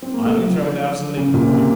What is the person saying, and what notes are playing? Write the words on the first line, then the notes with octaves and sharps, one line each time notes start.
I only throw it out as a legal point.'
C4
A#3
A3
F#3
F3
C#3
A#2
C3